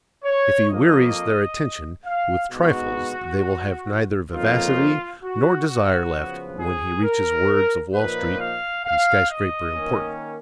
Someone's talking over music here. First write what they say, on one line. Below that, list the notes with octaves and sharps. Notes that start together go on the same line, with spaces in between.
If he wearies their attention with trifles they will have neither vivacity nor desire left when he reaches words of Wall-Street and skyscraper importance.
C#5
F2 F3 A#3 D#5
F5
B2 G#3 B3 D#4 F#4
F2 C#3 F3 A#3 D#4 F4
F#4
F#4
C#3 F3 B3
G#4
A#4
A#2 F3 A#3 D#4 B4
F5
F5
D#5
D#3 A#3 C#4